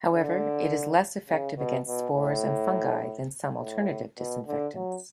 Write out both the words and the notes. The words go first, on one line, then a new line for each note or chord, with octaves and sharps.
However, it is less effective against spores and fungi than some alternative disinfectants.
D3
C#3
B2
B2
A2
A2
B2
D3
F#3